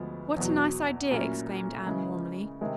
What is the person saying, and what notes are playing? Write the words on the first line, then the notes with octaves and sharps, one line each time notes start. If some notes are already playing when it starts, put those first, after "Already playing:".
"What a nice idea!" exclaimed Anne warmly.
Already playing: D2 D3 F3 G#3 B3
E2 B2 F#3
A#2 F#3 A3 C#4 E4
C#3 E3 G#3
C3 D#3 G#3